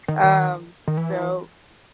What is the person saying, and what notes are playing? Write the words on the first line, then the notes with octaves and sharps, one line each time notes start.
Um, so
D#3
D#3
D#3
E3